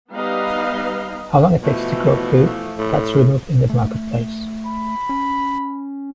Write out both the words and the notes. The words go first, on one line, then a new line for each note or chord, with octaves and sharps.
How long it takes to grow food - that's removed in the marketplace.
G3 B3 D#4 B4 D#5 F5
B2 E3 F3 A3
A2
A3
B5
C#4